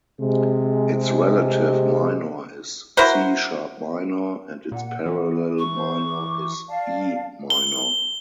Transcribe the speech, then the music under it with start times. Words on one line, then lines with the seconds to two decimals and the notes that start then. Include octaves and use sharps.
Its relative minor is C-sharp minor, and its parallel minor is E minor.
0.20 C3 G#3
2.97 E4 F#4 A#4 C5
4.72 A#2 F#5
5.06 E3
5.59 C#6
5.74 C5
6.09 D6
6.69 D5 F5 A5
7.50 G7